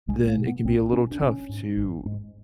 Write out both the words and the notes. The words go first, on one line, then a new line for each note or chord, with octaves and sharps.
then it can be a little tough to
B1 G#3
A#3
B2
B3
B1 C4
B2 C#4
D4
G#1 C#4
G#2
G#1
G#2